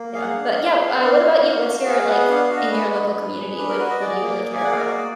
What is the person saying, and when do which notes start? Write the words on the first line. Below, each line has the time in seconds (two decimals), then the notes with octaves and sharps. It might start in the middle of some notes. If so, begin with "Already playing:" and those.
Yeah, but yeah, uh, what about you? What's your like, in your local community, what what do you really care about?
Already playing: A#3
0.14 G#4 F5
0.22 F#5
0.29 F5
0.36 D4
0.57 G#4
0.79 B3
0.90 F#5
1.00 D4 F5
1.22 F#4
1.44 D4
1.65 F#4
1.86 G#4 F5
2.07 B3 F#5
2.29 D4 F5
2.43 F5
2.50 F#4
2.57 D#5
2.71 G#4 B4
2.94 D4
3.15 D4
3.36 G#4
3.58 D4 B4
3.69 A#4
3.79 F#4 B4
3.90 D#5
4.00 G#4 D5
4.22 A#3
4.43 G#4
4.56 G#5
4.64 A#3 F#5
4.72 F5
4.79 D#5
4.87 F#4 D5